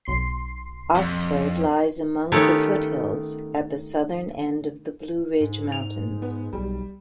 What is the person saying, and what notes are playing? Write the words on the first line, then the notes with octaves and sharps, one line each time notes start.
Oxford lies among the foothills at the southern end of the Blue Ridge Mountains.
B1 C6 C7
F2
D#3 A3 B3 C#4 G4 C#5
G#2
F7
B3
B1 G3